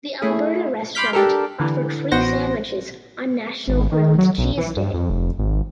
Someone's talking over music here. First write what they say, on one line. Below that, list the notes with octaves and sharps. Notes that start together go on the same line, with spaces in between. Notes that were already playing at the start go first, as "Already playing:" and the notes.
The Alberta restaurant offered free sandwiches on National Grilled Cheese Day.
A3 E4 G#4
B5 C6 D6 F6 G6 B6
D4 G4 A4 A#4
D3 E3
A1 B3 F#4 C5 F#5 A#6
G#1
D#3
F#3
B1
E3
G2
F2
F1
G#1